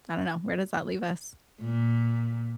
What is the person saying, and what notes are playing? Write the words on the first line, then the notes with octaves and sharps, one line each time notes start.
I don't know, where does that leave us?
A#2